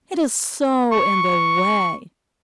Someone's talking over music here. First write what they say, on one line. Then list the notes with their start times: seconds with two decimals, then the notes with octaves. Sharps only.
It is so in the way!
0.92 C#6